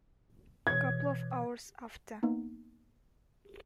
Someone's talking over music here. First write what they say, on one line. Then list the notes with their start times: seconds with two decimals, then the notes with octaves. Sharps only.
Couple of hours after.
0.67 B2 E3 C#5 G#6
2.23 A#3 B3 D#4